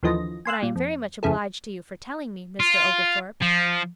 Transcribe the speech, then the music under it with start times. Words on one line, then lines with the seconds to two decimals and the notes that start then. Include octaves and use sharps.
"But I am very much obliged to you for telling me, Mr. Oglethorpe."
0.03 D#2 D3 E3 F3 D#5 A#6
0.45 G#5 C6 E6 F#6
0.63 A#2
0.76 F2
1.23 G1 F2 C#3 E4 G#4 A4
2.60 F4
3.42 F3